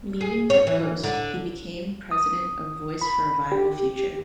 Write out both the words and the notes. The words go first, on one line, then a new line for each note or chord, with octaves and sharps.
Leaving that post, he became president of "Voice for a Viable Future".
G#4
C#5
E3
D3
D#6
B5
G4